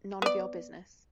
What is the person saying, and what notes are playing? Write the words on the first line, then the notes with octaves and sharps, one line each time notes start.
None of your business.
B3 D5